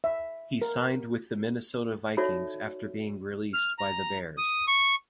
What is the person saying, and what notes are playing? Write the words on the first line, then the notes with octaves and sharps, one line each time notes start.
He signed with the Minnesota Vikings after being released by the Bears.
E5
A#4
D#4 F#4 A4 C#5 D5 E5
F6
A#5
D#6
C#6